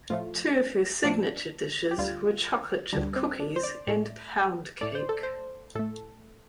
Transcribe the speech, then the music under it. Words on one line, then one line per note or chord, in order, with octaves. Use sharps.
Two of her signature dishes were chocolate chip cookies and pound cake.
A2 F3 A3 F4
A2 F3 A3 D4
G4
D2 D3 G3 F4
D2 D3 G3 D4
C4
D4
C5
D5
A2 A3
A2 A3 D5
C5
A4
C5
A2 A3 A4